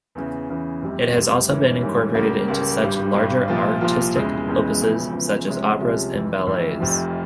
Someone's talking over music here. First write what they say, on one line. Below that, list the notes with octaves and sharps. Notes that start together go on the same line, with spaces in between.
It has also been incorporated into larger artistic opuses such as operas and ballets.
E2 C#3 E3
E2 C#3 E3
F1 F2 C3 G3
F1 F2 C3 G3
G#2 E3 G3 A#3 C#4
G#2 E3 G3 A#3 C#4
C#2 C#3 G3 A#3
C#2 C#3 G3 A#3
G#1 G2 G3
G#1 G2 G3
C2 A#2 F3 A#3 F4
C2 A#2 F3 A#3 F4
E1 E2 C#3 E3 G#3
E1 E2 C#3 E3 G#3
E1 E2 C#3 F3
E1 E2 C#3 F3
C2 C3 F3 G#3 C#4
C2 C3 F3 G#3 C#4
F1 F2 E3
F1 F2 E3
F1 F2 C3 F3